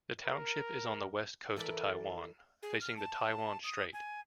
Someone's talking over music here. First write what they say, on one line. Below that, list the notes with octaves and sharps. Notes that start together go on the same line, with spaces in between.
The township is on the west coast of Taiwan, facing the Taiwan Strait.
A#4
E3 A4 A#4 D5 B5
G#4
F6
A5
D#6
G#5